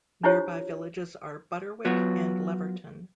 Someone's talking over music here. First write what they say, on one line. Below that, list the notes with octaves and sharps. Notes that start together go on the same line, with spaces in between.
Nearby villages are Butterwick and Leverton.
D4 E4 F4 G4 C5 C#5
F#3 B3 F4 F#4